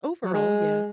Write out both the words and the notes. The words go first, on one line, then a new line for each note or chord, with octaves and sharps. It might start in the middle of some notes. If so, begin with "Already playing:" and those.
overall, yeah,
F#3
G#3